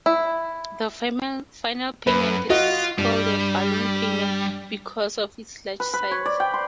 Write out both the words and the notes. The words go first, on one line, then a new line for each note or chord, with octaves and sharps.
The final payment is called a "balloon payment" because of its large size.
E4
F#2 B4
F4 F#4 D#5
G2 G3
B4
B4
C#5
D5
G5
C6